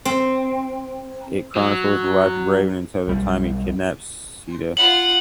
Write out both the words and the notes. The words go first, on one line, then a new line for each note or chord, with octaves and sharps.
It chronicles the life of Ravan until the time he kidnaps Sita.
C4
F#3
B1 G3
F4 F#5 F#7